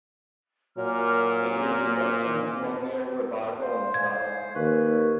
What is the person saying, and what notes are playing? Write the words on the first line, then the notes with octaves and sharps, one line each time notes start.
It is "western colonial revival" in style.
A#2 F#3 A#4 G#5 D6 F6
C5 D5 F5 C6
F5 G#5 G#6
D#2 B4 C#6